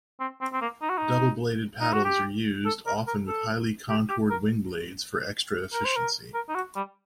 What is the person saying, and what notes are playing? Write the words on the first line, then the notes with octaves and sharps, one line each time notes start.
Double-bladed paddles are used, often with highly contoured wing blades for extra efficiency.
C4
C4
C4
A#3
D#4
F#4
D#4
D#4
F#4
G4
A4
A#4
A#4
A4
G4
G4
A#4
A#4
C5
A#4
A#4
D#4
F#4
G3